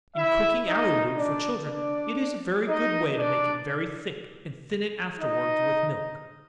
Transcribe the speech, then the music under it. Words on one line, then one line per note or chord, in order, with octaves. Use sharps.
In cooking arrow-root for children, it is a very good way to make it very thick, and thin it afterwards with milk.
E4 E5
D#4 D#5
D4 D5
D4 D5
D#4 D#5
D4 D5
D#4 D#5